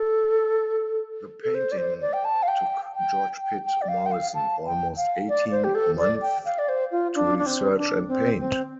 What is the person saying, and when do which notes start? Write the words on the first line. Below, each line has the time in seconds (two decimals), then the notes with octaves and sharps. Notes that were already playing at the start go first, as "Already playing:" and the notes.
The painting took George Pitt Morison almost eighteen months to research and paint.
Already playing: A4
1.43 A4
1.55 C5
1.72 D5
1.78 C5
2.01 D5
2.13 G5
2.25 A5
2.43 F5
2.48 G5
2.95 G5
3.41 G5
3.65 G5
3.82 D5
3.88 F5
4.06 G5
4.11 F5
4.35 A5
4.66 G5
4.97 F5
5.28 D5
5.51 C5
5.64 G4
5.75 A4
5.98 D5
6.22 G5
6.45 F5
6.59 D5
6.69 C5
6.92 F4
7.15 D4
7.38 D4
7.46 C4
7.78 D4
8.08 C4
8.40 C4